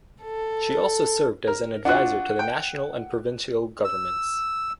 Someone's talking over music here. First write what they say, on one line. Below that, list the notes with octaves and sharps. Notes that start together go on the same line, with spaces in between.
She also served as an advisor to the national and provincial governments.
A4
A#4
D4 F4 F#4 F#5 F#6
G5
E6